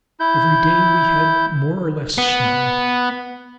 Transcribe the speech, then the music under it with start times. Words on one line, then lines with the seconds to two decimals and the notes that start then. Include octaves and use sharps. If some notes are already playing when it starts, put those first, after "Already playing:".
Every day we had more or less snow.
0.20 E4 G6
2.18 B3